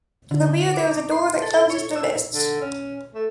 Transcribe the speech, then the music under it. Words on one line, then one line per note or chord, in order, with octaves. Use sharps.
To the rear there is a door that closes the lists.
D3
F7
D6
C6
A4
G7
C#5
E6
D3
C#4
A3